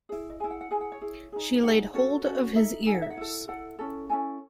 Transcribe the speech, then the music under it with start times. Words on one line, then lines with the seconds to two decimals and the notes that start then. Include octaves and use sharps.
She laid hold of his ears.
0.09 G#4 C#5
0.12 E4
0.30 D#5
0.40 E4 G#4 G#5
0.51 F#5
0.61 F#5
0.71 E4 G#4 G#5
0.81 F#5
0.92 C#5
1.01 E4 G#4
1.32 D#4 G#4
1.63 D#4 G#4 F#5
1.94 C#4 F#4 A4 C#5
2.25 C#4 F#4 A4
2.55 D#4 A4 E5
2.86 D#4 A4 G#5
2.94 F#5
3.02 E5
3.10 F#5
3.17 E4 A4
3.48 E4 A4 F#5
3.79 C#4 E4 A4
4.09 C#4 E4 A4 G#5